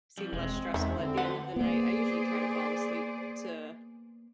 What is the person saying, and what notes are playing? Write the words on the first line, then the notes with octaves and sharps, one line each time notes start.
seem less stressful at the end of the night, I usually try to fall asleep to
F2 G3
E1 G#3 C4
E2 D#3 E5
D3 C4
A3 A4 B4 F#5
A#3 B3 G#4 C5 D5